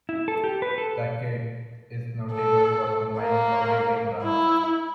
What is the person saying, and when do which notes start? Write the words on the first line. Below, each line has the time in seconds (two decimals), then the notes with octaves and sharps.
"The Kid" is notable for combining comedy and drama.
0.09 E4
0.28 A4
0.44 G4
0.62 B4
0.78 A4
2.33 A4
3.20 A#3
4.24 E4